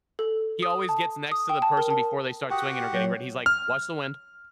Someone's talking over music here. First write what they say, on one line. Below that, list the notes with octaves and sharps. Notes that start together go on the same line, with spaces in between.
he always gets next to the person before they start swinging or getting ready. He's like, "Watch the wind."
A4
D#6
A5
D#6
G5
A5
A#4
A5
F#4 G4 F#5 G5 D#6 F#6
F#3 C#5 G6
F6